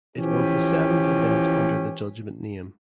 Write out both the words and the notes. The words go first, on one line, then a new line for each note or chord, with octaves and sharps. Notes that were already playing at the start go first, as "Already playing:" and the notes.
It was the seventh event under the Judgement name.
E3 F3 C#4 G4